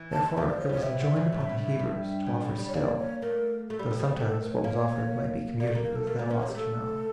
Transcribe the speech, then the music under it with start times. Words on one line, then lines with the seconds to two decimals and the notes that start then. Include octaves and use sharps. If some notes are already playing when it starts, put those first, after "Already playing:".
Therefore it was enjoined upon the Hebrews To offer still, though sometimes what was offered Might be commuted, as thou ought'st to know.
Already playing: E3
0.13 A5
0.37 F3 E5
0.48 D5
0.60 C#5
0.69 G3
0.72 C#5
0.77 F3
0.84 E3 E5
1.01 D3
1.16 C#3
1.32 A2
1.40 G2
1.49 A2
1.79 G2
2.26 A2
2.43 A2
2.58 G3
2.68 C#5
2.74 A#3 D5
2.98 C#5
3.22 A3 A#4
3.69 A3 A4
3.79 G3
3.91 F3
4.00 G3
4.17 A3 A4
4.25 A#4
4.29 A4
4.41 A#4
4.52 C#5
4.64 A#3
5.60 A#3 D5
5.67 A3
5.75 A#3
5.84 A#4
5.96 A4
6.07 A3 A#4
6.19 A#3 D5
6.31 C#4 A#4
6.42 A#3 C#5
6.49 G4
6.55 A3 A4